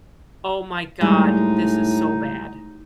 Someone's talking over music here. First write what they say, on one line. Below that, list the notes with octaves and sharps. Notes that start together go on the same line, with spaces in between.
"Oh my God, this is so bad."
A2 G3 G#3 D#4